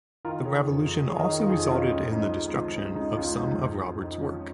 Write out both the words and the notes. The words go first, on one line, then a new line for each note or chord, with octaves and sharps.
The Revolution also resulted in the destruction of some of Robert's work.
D#3 F4 A#4
D#3 G#4 C#5
F2
F2
D#3 G#4 C#5
A#4 D#5
D#3
F4 A#4
F2 D#4 G#4
F2 C#4 F4
C#2 C#4
C#3 D#4
C#2
F3
C#2 C#4
C#3 D#4
C#2 C#4 F4
F3 D#4
F2
C#3
F2 D#4
F3 C#4